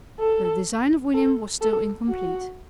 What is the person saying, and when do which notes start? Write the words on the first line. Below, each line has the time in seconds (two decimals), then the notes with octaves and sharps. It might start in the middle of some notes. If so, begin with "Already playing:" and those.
But the design of William was still incomplete.
0.19 A4
1.14 A4
1.61 A4
2.08 F#4